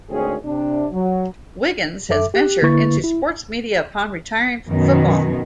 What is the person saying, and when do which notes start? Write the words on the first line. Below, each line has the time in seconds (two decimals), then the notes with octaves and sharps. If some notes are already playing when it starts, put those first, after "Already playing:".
Wiggins has ventured into sports media upon retiring from football.
0.10 G#1 D2 C4 C#4 G#4
0.45 C3 D4
0.92 F#3
2.10 F#2 A4 E5 D6
2.34 G4 F#6
2.62 D3 A#3 E4 B4 C#6 A6
3.04 E4
4.68 F#2 B2 D#3